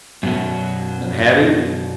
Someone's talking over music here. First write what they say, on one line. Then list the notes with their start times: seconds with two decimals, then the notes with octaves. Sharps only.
And Hattie?
0.23 F#2 B2 F#3